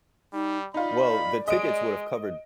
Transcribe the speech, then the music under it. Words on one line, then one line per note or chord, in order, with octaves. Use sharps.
Well, the tickets would've covered
G3 D#4
D#4 F4 D5 B5
G#3 D#5 D7